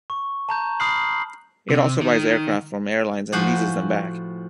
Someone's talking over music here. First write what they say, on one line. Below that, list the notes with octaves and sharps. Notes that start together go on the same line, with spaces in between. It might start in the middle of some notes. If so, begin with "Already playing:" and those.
It also buys aircraft from airlines and leases them back.
C#6
A5 A#5 G6
B5 D#6 F6 F#6 C7 F#7
C3
D#3
A2 F3 F#4 B4 C5 G#5